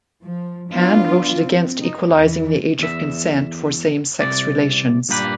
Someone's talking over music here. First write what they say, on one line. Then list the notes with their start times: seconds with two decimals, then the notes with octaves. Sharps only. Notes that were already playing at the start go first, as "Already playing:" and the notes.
Cann voted against equalising the age of consent for same-sex relations.
0.24 F3
0.71 F#3 B3 D4 F4
1.35 C4
1.82 D#4
2.16 E2 E3
2.80 E2 E5
4.21 C2 C3 D5
5.09 G2 A#2 A#3 G4 B4